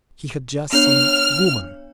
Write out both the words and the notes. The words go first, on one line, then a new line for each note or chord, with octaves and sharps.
He had just seen Woman.
B3 D4 C#5 F6